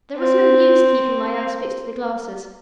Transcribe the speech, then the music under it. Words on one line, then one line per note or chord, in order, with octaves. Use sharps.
There was no use keeping my eyes fixed to the glasses.
C4